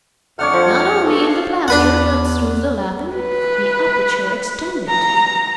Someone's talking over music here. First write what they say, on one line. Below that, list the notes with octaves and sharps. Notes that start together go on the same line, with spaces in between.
Not only in the plaster, but through the lathing, the aperture extended.
F2 A3 D4 C#5 F#5 F6
F3
B3 F#4 A4
F5
E2 D4 B4 F#5
B4
A#5